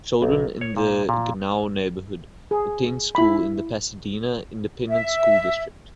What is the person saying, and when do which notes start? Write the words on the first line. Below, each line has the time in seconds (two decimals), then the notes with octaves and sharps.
Children in the Genoa neighborhood attend school in the Pasadena Independent School District.
0.22 B1
0.61 C#5
0.77 A#2
1.09 A#2
2.51 G#4
3.15 E4 B5
4.89 E5